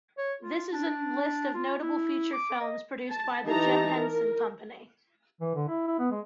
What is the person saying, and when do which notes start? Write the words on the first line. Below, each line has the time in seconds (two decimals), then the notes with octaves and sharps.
This is a list of notable feature films produced by The Jim Henson Company.
0.18 C#5
0.41 F4
0.73 D4
1.54 F4
1.82 E4
2.33 D6
2.60 D#5
3.10 A5
3.45 E3 D#4 G4 A5 A#5
3.96 A#4
5.41 E3
5.55 D3
5.68 E4
5.87 E4
5.99 B3
6.11 G#3